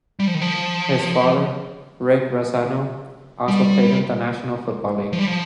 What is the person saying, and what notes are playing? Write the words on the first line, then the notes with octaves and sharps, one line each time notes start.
His father, Rick Razzano, also played in the National Football League.
G3
F3
D#3
F3
G3
F3
G3
F3